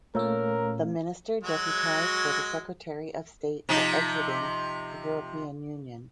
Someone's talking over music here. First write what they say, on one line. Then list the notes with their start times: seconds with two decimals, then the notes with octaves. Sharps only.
The minister deputised for the Secretary of State for Exiting the European Union.
0.15 A#2 A3 C#4 A#4 C#5 F5 A#5 E6
1.43 F#3 G#3 F#4
3.69 C3 F3 D#4